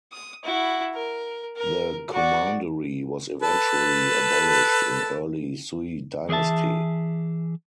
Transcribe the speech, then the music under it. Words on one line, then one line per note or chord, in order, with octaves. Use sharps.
The commandery was eventually abolished in early Sui dynasty.
D#6
E4 F#4
A#4
A#4
F#4 D5
A4 B4 A5
E3 G#4 A#4 E5 A5